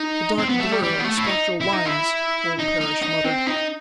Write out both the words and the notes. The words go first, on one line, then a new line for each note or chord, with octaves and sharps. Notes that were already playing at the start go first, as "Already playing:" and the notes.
"The dark blur on the spectral lines," old Parrish muttered.
Already playing: D#4
C4
B3
A3
G3
G3
B3
A3
E4
D#4
E4
D#4
E4
D#4
D#4
D#4
C4
D#4